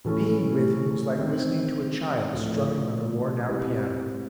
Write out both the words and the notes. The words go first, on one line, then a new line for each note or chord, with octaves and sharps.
Being with him was like listening to a child strumming on a worn-out piano.
A2 E3 A3 C#4
D#3 G#3 C4
A2 F3 A3 D4 F4
G#3 C4 E4 G4